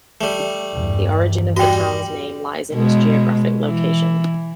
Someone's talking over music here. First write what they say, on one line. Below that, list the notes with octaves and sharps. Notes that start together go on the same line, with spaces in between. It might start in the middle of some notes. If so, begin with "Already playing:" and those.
The origin of the town's name lies in its geographic location.
G3 A3
E2 G2
G3 F#4 D#5 G5
B2 G#3
E3